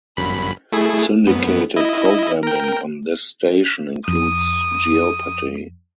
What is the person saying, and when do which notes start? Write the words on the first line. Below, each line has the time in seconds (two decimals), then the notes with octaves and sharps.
Syndicated programming on this station includes Jeopardy!
0.17 G1 F#2 B5
0.72 A3 E4 G#4
1.26 F#2 B3
1.76 E4 D#5
2.43 A#4 G5
4.08 F2 D#6